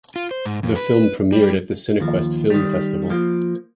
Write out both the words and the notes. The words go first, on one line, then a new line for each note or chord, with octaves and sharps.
The film premiered at the Cinequest Film Festival.
F4
C5
G#2
F2
B4
G3
D#2 F3
D#3 G3
F3 A#3